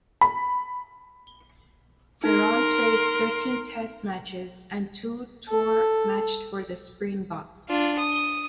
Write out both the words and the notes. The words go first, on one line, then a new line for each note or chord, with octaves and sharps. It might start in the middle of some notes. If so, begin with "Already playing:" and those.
Theron played thirteen test matches and two tour matched for the Springboks.
B5
D#4 A#4 C6
A4
D4 F4
D#6